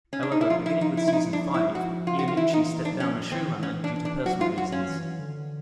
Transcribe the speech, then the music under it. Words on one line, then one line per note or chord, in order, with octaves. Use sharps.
However, beginning with season five, Iannucci stepped down as showrunner due to "personal reasons".
C#4
D4
D#4
E4
F3 F4
E4
D#4
E4
E4
D#4
D4
E4
F3 F#4
F4
F#4
F4
E3 E4
D#4
D4
F#3
F3 C#4
F3
D#3 C4
E3
C#4
D4
D4
F#3 F#4
F4
F#3 F#4
C#4
E3
D3